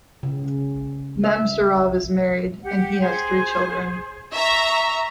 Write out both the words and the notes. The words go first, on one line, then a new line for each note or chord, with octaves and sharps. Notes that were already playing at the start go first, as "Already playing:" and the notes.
Mamsurov is married, and he has three children.
C#3
E5
G4 F#5
G#4 C5
E5 A#5 C#6